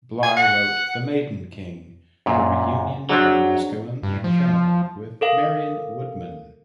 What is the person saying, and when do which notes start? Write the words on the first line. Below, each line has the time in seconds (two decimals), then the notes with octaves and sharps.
Bly wrote "The Maiden King: The Reunion of Masculine and Feminine" with Marion Woodman.
0.23 G#5
0.37 F#5
2.26 F#2 A#2
3.09 F#3 C4 D4 G#4
4.03 G2
4.24 F3
5.21 A4 A#4 F5